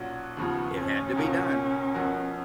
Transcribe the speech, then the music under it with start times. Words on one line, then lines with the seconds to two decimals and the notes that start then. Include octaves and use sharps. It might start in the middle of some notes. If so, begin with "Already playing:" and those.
It had to be done.
Already playing: B1 A#2 F#3 C#4 F#4
0.37 D#2 C#3 F3 B3
0.77 C#4
1.16 C#2 B2 A#3 F4
1.94 F2 F3 B3 F#4 A#4